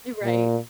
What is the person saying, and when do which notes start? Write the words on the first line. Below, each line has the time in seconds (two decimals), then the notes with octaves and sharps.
You're right.
0.24 A#2